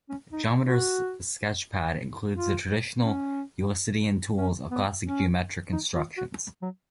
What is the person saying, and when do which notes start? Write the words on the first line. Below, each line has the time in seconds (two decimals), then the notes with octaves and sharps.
Geometer's Sketchpad includes the traditional Euclidean tools of classical geometric constructions.
0.09 C#4
0.33 D#4
0.65 F#4
2.35 F4
3.02 C#4
4.38 C#4
4.71 B3
5.05 C#4
5.72 D#4
5.95 F4
6.17 F#4
6.62 F#3